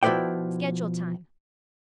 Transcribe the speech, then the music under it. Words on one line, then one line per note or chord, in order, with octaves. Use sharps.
Schedule time.
B2 F3 E4 B4 D5 G5